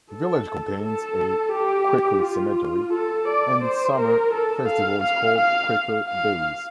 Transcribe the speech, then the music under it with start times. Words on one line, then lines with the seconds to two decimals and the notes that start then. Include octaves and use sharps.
The village contains a "Quaker Cemetery" and its summer festival is called "Quaker Days".
0.13 A4
0.83 A4
1.52 G4
2.23 F4
2.93 A4
3.28 D5
3.63 C5
3.98 A#4
4.33 A4
4.68 F5
5.03 F5
5.38 F5
6.08 F5